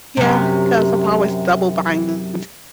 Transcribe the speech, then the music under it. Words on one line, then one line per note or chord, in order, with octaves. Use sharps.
Yeah, 'cause I'm always double buying
F#2 C3